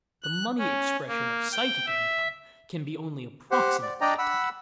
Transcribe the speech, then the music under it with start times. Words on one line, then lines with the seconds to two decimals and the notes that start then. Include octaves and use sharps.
The money expression of psychic income can be only approximately attained.
0.23 F#6
0.58 C#4
1.07 A#3
1.52 G5
1.86 E5
3.51 G4 C5 F#5
3.83 D5
4.01 D4 D5 D#5 G5 A#5
4.18 F#5 B5 E6